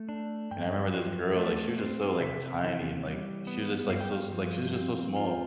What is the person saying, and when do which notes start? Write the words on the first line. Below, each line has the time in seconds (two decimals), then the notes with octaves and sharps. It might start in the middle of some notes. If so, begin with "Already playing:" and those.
and I remember this girl, like, she was just so, like, tiny, and, like, she was just, like, so s like she's just so small,
Already playing: A3 A4
0.09 D4
0.51 G2 G5
0.93 F3
1.36 A3
1.78 C4
2.20 C3 E5
2.63 E3
3.05 G3
3.47 B3
3.90 G2 F5
4.01 G5
4.12 F5
4.32 F3
4.75 C4
5.16 F4